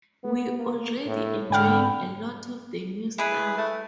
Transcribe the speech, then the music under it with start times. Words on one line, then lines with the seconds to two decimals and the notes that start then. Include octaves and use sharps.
We're already enjoying a lot of the new stuff.
0.24 B3
0.59 A#3
1.06 A2
1.50 G#2 D3 G5 B5 F6
3.18 E4 G#4 B4
3.57 A3